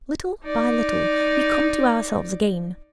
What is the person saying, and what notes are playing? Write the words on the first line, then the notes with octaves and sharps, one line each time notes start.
Little by little we come to ourselves again.
D#4 D5